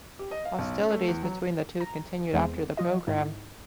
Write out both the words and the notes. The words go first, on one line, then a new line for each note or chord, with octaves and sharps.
Hostilities between the two continued after the program.
G4
D#5
F5
B1
C#4
A3
E2
F#3
A#5
E2 G#3 B3 C4
F3 F4 D#5
G#2 D#4 E4